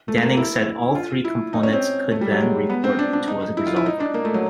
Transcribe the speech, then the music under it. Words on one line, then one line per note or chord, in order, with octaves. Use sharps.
Denning said all three components could then report to a resolver.
A3
A#3
E4
F4
E4
D#4
C#4
C4
A3
G3
F#3
G#3
B3
C4
D4
D4
D#4
E4
F4
E4
D#4
D4
A#3
A3
F#3